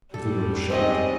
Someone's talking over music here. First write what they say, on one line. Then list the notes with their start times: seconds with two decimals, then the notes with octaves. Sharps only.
The girl shuddered.
0.14 G3 A4
0.70 G#2 C4 C#4 G4 D#5